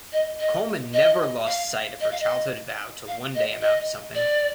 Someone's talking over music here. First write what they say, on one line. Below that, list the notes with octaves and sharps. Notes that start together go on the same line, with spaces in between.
Coleman never lost sight of her childhood vow to one day amount to something.
D#5
D#5
D#5
F5
D#5
F5
D#5
F5
D#5
D#5
D5